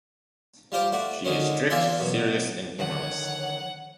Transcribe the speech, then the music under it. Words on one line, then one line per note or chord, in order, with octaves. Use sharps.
She is strict, serious, and humorless.
G3 F4 C5 D6
A3 F#4 D5
D3 D#3 G#3 C#4
E2 F4 D5 E5 G#5 C6
F#2 B2
D3 D#3 F3 C#5 F#5